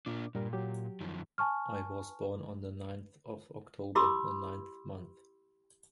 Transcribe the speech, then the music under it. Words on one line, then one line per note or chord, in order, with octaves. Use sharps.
I was born on the ninth of October, the ninth month.
A#2 D4 F4 D6
G2 A#2 G3 A#4
F#3 G4
F#2 D#3 F3
G#5 A5 C#6 F6
E4 G4 B5 C6 D6 E6